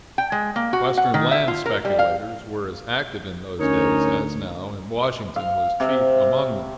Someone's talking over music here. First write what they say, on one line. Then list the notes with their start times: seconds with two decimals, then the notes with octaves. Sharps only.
Western land speculators were as active in those days as now, and Washington was chief among them.
0.18 G5
0.32 G#3
0.56 A#3
0.73 F#4
0.97 F#5
1.14 D#3
1.31 E5
1.48 F4
1.66 A#4
1.85 G3
1.99 F5
3.60 D2 C#4 D#4 A#4 C#5
5.36 F5
5.80 C3